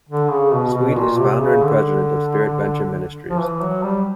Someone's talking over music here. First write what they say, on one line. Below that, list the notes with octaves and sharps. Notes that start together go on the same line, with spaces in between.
Sweet is founder and President of "SpiritVenture Ministries".
D3
C#3
B2
B2
B2
A#2
C3
C3
C#3
D3
F3
E3
F#3
G3